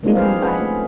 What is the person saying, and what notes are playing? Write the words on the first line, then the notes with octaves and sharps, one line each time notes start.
Mhm, bye.
G#3 A#3 C4 D4 D#4 F4
F3 G#4 B4 C5 F5
C#4 G#4 B4 F#5
A3